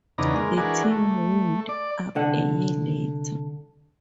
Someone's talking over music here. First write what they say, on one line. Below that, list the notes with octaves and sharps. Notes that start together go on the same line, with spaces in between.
The team wound up a year later.
E2 C#3 B3 D4 D#4 A#5
G#3 A#3
E3 D4 F#4 G#4 A#4
A3
D5
C2 D3 F#5